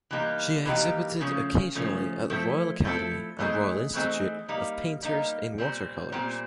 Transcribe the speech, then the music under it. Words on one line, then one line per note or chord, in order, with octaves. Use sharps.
She exhibited occasionally at the Royal Academy and Royal Institute of Painters in Watercolours.
E3 G3 A#3 D#4 G4
E3 G3 A#3 D#4 G4
C#3 F3 A3 C#4
C#3 F3 A3 C#4
F3 A3 C4 E4 A4
F3 A3 C4 E4 A4
E3 A3 C4 D#4 G#4
E3 A3 C4 D#4 G#4
G3 A#3 D#4
G3 A#3 D#4
A#2 G3 C4
A#2 G3 C4